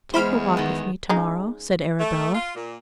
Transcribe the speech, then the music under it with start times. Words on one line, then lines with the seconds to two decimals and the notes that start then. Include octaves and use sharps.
"Take a walk with me to-morrow," said Arabella.
0.14 E2 G#3 C5 B5 F6
0.57 D#3 B3
1.09 C#3 G#3 D#4
2.00 A3
2.34 F4
2.55 A#2